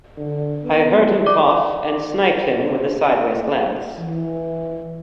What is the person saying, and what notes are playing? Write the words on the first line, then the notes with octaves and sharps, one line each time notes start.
I heard him cough, and sniped him with a sideways glance.
D3
B3
D5 D6
E3